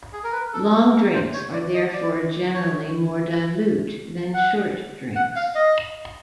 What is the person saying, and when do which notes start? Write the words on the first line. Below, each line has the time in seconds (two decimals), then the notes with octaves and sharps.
Long drinks are therefore generally more dilute than short drinks.
0.13 G#4
0.24 A#4
0.32 B4
0.53 A4
0.73 A4
0.93 A#4
1.13 C5
1.34 C#5
1.53 D5
1.74 D#5
1.93 D5
2.54 C#5
4.34 F#5
5.16 F#5
5.36 F5
5.55 D#5